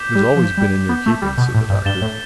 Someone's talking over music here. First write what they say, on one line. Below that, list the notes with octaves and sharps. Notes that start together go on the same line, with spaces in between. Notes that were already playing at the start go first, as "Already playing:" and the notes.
"It has always been in your keeping," said the Doctor.
Already playing: D6 G6 B6 E7 G7
G3
F3
G3
B3
A3
G3
B2
A2
G2
G2 A6 E7 G7
A2